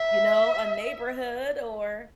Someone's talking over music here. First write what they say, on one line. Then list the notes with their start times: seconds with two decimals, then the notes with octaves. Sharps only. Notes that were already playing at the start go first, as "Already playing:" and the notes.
you know, a neighborhood or
Already playing: E5